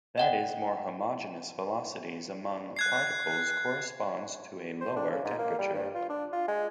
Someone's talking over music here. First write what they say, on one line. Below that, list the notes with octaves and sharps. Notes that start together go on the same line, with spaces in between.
That is, more homogeneous velocities among particles corresponds to a lower temperature.
D#5 F#5 G5
F#6 G#6 C7
C5
D4
C#3
G#2
A#3
G3
G2
F4
D4
F4
G#3